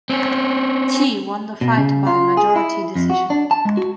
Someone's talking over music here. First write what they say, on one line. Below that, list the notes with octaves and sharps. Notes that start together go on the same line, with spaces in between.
Qi won the fight by majority decision.
C4 C#4
B2
C#3
F4
G#4
E4
F2
F#4
D4
A5
G#3
F#4